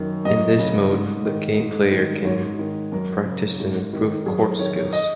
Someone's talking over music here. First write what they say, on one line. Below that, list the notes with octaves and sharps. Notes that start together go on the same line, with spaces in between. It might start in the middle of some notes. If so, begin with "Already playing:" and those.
In this mode the game player can practice and improve court skills.
Already playing: F#2 D#3
F#2 D#5
C#3
G#2
D#3
G#2
D#3
G#2 C#5
D#3
F#2 A#4
C#3
G#2
D#3
F#2 G#4
A#4
D#3 C#5
C#5
D#5